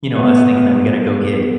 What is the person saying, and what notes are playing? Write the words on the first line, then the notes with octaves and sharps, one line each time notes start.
you know, us thinking that we gotta go get,
B3